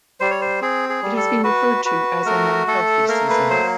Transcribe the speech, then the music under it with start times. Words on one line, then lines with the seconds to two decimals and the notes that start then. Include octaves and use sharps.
It has been referred to as an unhealthy season.
0.20 G3 C5
0.30 C#5
0.41 C5
0.61 C4 G#4
0.89 G#4
1.02 G3
1.17 A4
1.43 F#4 B4
1.85 F#4 B4
2.26 A3 A#4
2.67 A3 A4
3.09 A#3 A#4
3.30 B4
3.50 F#3 C5